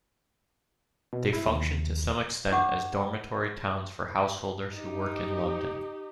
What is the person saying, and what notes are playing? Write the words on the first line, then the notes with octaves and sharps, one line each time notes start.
They function to some extent as dormitory towns for householders who work in London.
B2
E4
D#2
D4 G4 F#5 D6
D#4 G4